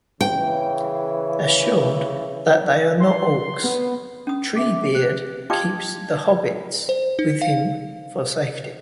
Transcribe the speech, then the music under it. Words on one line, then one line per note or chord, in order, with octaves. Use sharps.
Assured that they are not orcs, Treebeard keeps the hobbits with him for safety.
C#3 E3 G5
C6
B3
C#4 D#6
E5 D6
F#6
F4 G4 D#5 G5 A5 D6 G#6
C5
D#4
F5